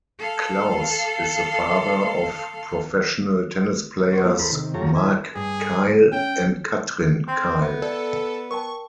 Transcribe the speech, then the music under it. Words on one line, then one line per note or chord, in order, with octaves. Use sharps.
Klaus is the father of professional tennis players Mark Keil and Kathrin Keil.
A4 F5
F#4 C5 C#5
F3 G3 G#3 A#3 C4 F4
E2 G#3 A4 A#4 C5 B5
C3 D#3
F#2 F4 G4 A4 C#5 A#5
E4 E5 G#5
G2 G#4
C#4 G5
C4 G5
B3 E5
A4 D5
A#4 G5 A5 C#6